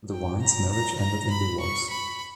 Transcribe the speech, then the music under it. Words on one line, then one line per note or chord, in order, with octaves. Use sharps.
DeWine's marriage ended in divorce.
G5
A#5
A#5
A#5
B5
C#6
B5